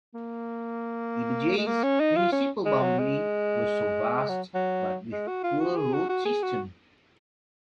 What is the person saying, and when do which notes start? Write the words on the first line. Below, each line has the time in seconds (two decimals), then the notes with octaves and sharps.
Ibajay's municipal boundary was so vast but with poor road system.
0.14 A#3
1.58 G#3
1.67 A#3
1.83 C#4
2.00 D#4
2.16 F4
2.32 C#4
2.65 G#3
2.81 F#3
2.98 G#3
4.29 F#3
4.54 F#3
5.12 G#3
5.27 F#4
5.43 F4
5.60 F#4
5.76 G#4
5.93 F#4
6.09 F#4
6.25 G#4
6.43 F#4